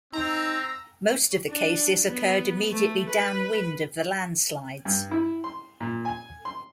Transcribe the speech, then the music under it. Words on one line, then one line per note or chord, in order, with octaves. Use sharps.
Most of the cases occurred immediately downwind of the landslides.
C4 D#4 A#5 E6
D4
B3
A3
B4
G2
E4
C6
A#2
G#5
C6